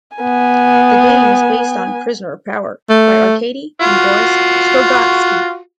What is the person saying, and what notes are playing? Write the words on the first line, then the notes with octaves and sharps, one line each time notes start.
The game is based on "Prisoner of Power" by Arkady and Boris Strugatsky.
B3 G#5
A3
F4 F#4